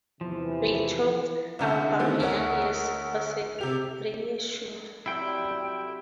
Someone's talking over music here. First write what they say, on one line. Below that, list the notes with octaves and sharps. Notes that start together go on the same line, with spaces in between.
A twelfth album, "Young Years," was a reissue.
E2 C3 E3 F3
C2 D3 C#4 F#5
D#3 E3 G3 A3 B3 C4
D2 A#4 C#5 F#5
C3 G4 F7
C3 F#3 E4 D5 G5